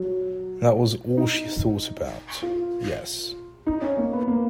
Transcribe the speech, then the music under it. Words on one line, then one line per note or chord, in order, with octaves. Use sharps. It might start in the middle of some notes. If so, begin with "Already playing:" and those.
That was all she thought about, yes.
Already playing: F#3
D#4
F4
D#4
C#4
A#3
B3
A#3